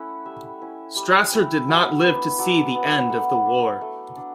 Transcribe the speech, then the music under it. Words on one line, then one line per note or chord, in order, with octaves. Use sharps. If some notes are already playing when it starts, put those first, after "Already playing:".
Strasser did not live to see the end of the war.
Already playing: A3 C#4 E4 F#5
G3 E5
C#4 E4
G3
C#4 E4
F#3
B3 D4
F#3 D5
B3 D4
A3 F#5
D4
A3
D4